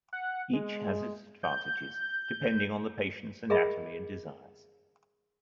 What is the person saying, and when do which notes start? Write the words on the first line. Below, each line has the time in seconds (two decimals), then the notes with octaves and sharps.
Each has its advantages depending on the patient's anatomy and desires.
0.13 F#5
0.53 G#3
1.43 G6
3.50 G#4 A#4 D#5 E5 B5